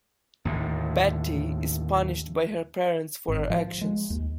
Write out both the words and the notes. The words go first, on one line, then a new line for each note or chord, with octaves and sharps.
Patti is punished by her parents for her actions.
D#2 A2 D3
G#1
F3
G#3
D#2